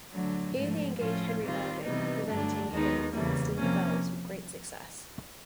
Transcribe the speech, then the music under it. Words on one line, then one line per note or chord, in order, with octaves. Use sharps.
Here he engaged Henry Irving, presenting him first in "The Bells", with great success.
D3 F#3 A3
G#2 F3 A3
A2 F3 A3 C#4 F4
D#3 G3 C4 F4
C3 E3 G3 B3 D#4
G2 D3 F#3 A3 D4
D#2 D#3 G#3 B3 D#4
E2 C#3 E3 G3 A#3
C3 F3 A#3 C#4